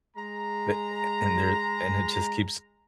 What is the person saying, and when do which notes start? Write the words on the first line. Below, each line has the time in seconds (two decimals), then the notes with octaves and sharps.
Th a and there and it just keeps
0.16 G#3 A#5